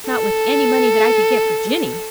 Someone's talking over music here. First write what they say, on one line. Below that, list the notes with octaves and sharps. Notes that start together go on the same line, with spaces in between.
"Not with any money that I could get for Jinny."
A4